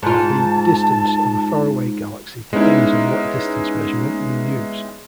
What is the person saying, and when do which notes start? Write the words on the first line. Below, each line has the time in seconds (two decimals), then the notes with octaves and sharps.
The "distance" of a far away galaxy depends on what distance measurement you use.
0.03 G#2 F4 A5
2.53 G#3 B3 C#4 D#4 E4